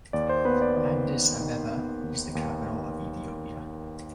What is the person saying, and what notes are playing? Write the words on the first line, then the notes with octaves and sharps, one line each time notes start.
Addis Abeba is the capital of Ethiopia.
D#2 D5
C5
B3 B4
D5
D#3 D5
B3
D#3
B3
D#2
D#2